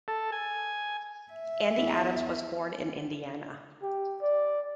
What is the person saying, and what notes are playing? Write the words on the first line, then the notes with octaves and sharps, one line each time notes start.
Andy Adams was born in Indiana.
A4
G#5
E5
E2
G4
D5